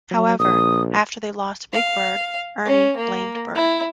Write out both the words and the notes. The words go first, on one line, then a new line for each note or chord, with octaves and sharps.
However, after they lost Big Bird, Ernie blamed Bert.
F#3
A#1 D#6
F5
C#4
A#3
E4